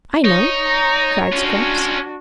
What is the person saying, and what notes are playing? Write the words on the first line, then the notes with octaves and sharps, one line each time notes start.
"I know!" cried Scraps.
D#4 C#5
A#5
C#4 D4 F4 F#4